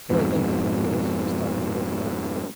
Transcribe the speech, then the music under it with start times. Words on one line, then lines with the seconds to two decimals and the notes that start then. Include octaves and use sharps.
"So I think," replied Willis, stopping to look about.
0.10 F2 G#2 B2